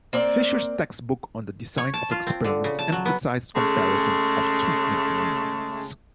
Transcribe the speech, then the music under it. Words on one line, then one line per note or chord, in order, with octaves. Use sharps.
Fisher's textbook on the design of experiments emphasized comparisons of treatment means.
A#3 C4 D5
C#5
A5
F4
C4
D3
C#3
A5
F#3
B3
C#3 G#3 A3